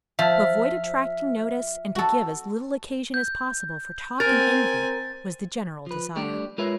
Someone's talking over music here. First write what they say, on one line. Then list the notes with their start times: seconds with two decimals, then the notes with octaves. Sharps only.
To avoid attracting notice, and to give as little occasion as possible for talk and envy, was the general desire.
0.19 F3 E5 F6
1.95 F#4 A4
3.14 G6
4.20 C4 A#4 G#5 A6
5.86 F3 B4
6.16 G3 A3 D4 G4
6.58 G#3 F4 A#4 B4 C#5 E5